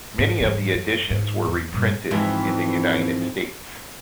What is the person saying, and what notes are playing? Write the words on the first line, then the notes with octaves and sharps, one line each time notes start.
Many of the editions were reprinted in the United States.
G#2
G#2 E3
F#2
G#2
E2
G2 A#2
F2 G#2 E3